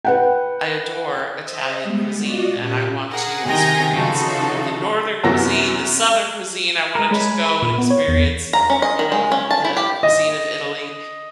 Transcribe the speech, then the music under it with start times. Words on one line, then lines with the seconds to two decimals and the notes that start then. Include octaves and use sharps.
I adore Italian cuisine, and I want to experience the northern cuisine, the southern cuisine, I wanna just go and experience, you know, the n the cuisine of Italy.
0.05 B4 F#5 G5
1.40 C5 D#5 E5
1.83 G3 G#3 B3
2.19 F4 F#4 D5 D#5
2.54 A#2 C#4 G4 F#6
3.09 G#4 A#4 F#5
3.46 C3 D#3 G5 G#5 A#5 A#6
3.95 C#3 E3 F3 D#4 F#4 A4
5.24 F#2 C3 E3 F#3 B3 A#6
6.95 G#3 A#4
7.11 G#3 C#5 G#5 B5
7.46 B5
7.62 A#2
7.78 B3
7.91 C#5
8.08 E2
8.53 A#5
8.70 C#4
8.82 D#5
8.99 D#3
9.12 G#3
9.32 C#4
9.51 A5
9.65 E4
9.77 G4
10.03 D#5